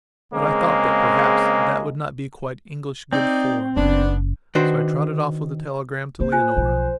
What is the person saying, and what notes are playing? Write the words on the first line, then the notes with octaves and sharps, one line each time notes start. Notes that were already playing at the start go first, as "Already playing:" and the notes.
But I thought that perhaps that would not be quite English good form, so I trotted off with the telegram to Leonora.
C#3 G#3 A#3 C4
C4 D#4 D5
F#1 B3 D4
D#3 D4 F#4 B4 C5
A#3 C5
F4 G#5 F#6
B1 F3